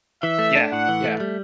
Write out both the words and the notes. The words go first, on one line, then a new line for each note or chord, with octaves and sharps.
yeah, yeah.
E3 E5
A3
D4
A2 F#5
E3
A3
G3